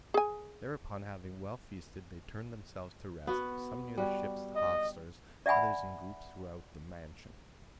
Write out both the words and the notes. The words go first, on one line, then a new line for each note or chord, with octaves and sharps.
Thereupon having well feasted they turned themselves to rest, some near the ship's hawsers, others in groups throughout the mansion.
G#4 G#5
B3 F#4
G3 F#4
D#5
D5 E5 F#5 G#5 B5